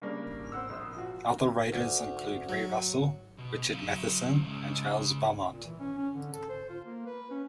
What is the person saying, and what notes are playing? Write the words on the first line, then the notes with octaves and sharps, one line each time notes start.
Other writers included Ray Russell, Richard Matheson and Charles Beaumont.
C#3 G3 A#3 D4
C4 F#5 E6
A#1 C5 D#6 E6
F3 F#4
D2
F#3
B2
F#3 F5
C#2 C#3
A#2
E3
C#4
C#4
D3
A4
C5
F4
A#3
B4
C#4